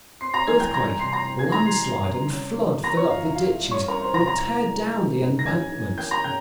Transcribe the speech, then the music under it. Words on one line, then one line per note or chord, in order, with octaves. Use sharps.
Earthquake, landslide, and flood fill up the ditches, or tear down the embankments.
C4 C6 C7
A#5 A#6
E3 G#5 G#6
G5 G6
G3 A#5 A#6
C3 C6 C7
A#5 A#6
C4
G#5 G#6
E3 A#5 A#6
C6 C7
G3
C3
C#4
E3
A#3 A#5 A#6
C#5 C#6
E2 F4 F5
E5
E4 F4 F5
E5
G3
C#5 C#6
C#4 A#4 A#5
C5 C6
C3 A#5 A#6
A#5 A#6
E4
G3
A#3
G#2
A#6
C#3 G#5 G#6
E3
A#3 G5 G6
A#5 A#6
C#3 G5 G6